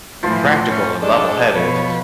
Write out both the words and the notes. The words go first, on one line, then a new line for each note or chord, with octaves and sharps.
practical and levelheaded
A2 E3 F3 E4 C5 C6
C#4
D4 G#4 A4 D5 D#5
B2 F3 B4 C#5 B5